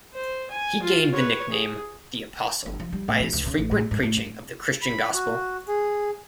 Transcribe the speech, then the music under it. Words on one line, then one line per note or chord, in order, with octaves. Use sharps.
He gained the nickname "The Apostle" by his frequent preaching of the Christian gospel.
C5
G#5
F4
B4 C#5
G#4
G1
F3
G3
A2
E3
C#2
C#3
A1
A2
G#2
A2
G2
B5
F#4
G#4